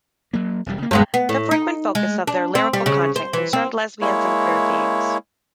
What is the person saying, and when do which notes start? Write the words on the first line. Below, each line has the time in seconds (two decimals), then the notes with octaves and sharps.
The frequent focus of their lyrical content concerned lesbian and queer themes.
0.33 F#3 A#3
0.66 E1 F2 G3
0.78 C#3 A#3
0.91 D#1 D2 G2 G#3 B3
1.14 B3
1.29 A2
1.51 D#4
1.95 G#3
2.27 D4
2.55 C4
2.73 G3
2.86 C#3
3.16 C5
3.33 E3
3.53 C4
4.01 G#3 A#3 E4 C#5